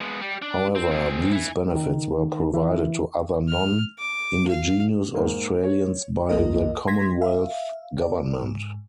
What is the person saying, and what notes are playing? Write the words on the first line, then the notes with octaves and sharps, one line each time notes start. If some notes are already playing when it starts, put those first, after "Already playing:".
However, these benefits were provided to other non-Indigenous Australians by the Commonwealth Government.
G#3 B3
G3 G4
D4
C4
C4 G#4
E4 G#5
D#3
E3
F6
D6
F5
G#2 A#3
C#5
C2 F#2 A#3 F4 A#4 D#5
C6 G#6 A#6 B6
E5 F5
D5
G#2